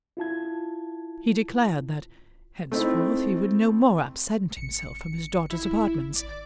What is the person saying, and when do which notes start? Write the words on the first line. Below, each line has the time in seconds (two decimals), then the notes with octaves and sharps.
He declared that, henceforth, he would no more absent himself from his daughter's apartments.
0.17 E4 F4 A5 G#6
2.72 A3 C4 D#4 E4
4.57 G#1 C#7
5.50 E4
6.16 D5